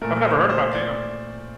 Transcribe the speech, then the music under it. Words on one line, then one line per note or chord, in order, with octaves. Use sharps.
I've never heard about them.
A#2 A3 A#4
C5
C5
D5